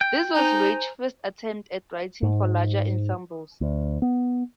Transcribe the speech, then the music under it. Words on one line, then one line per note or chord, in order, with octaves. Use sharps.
This was Reich's first attempt at writing for larger ensembles.
G5
D#4 C5 G#5 A#5
G#2
D2
B3